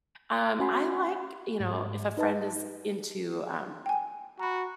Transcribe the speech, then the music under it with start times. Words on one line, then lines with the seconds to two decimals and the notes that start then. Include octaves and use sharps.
Um, I like You know, if a friend is into, um
0.59 C#4 F#4 F#5 G#5 B5 C6
1.60 G#2
2.17 D#4 B4 D#5 A5
3.86 G5 G#5
4.39 F#4 A#5 B5